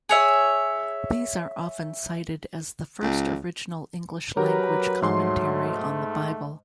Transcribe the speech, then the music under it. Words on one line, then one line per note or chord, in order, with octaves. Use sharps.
These are often cited as the first original English language commentary on the Bible.
G#4 C#5 E5
C#2
F#3 G4 A#4 B4 A#5
G#2 A3 C6